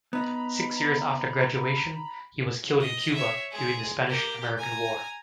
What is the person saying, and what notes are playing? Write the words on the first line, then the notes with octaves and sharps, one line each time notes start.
Six years after graduation, he was killed in Cuba during the Spanish-American War.
B3 D#4 A#5 B5
D#5
C#5 E5
G#3 G#4
A#3 G4
G#5 A#5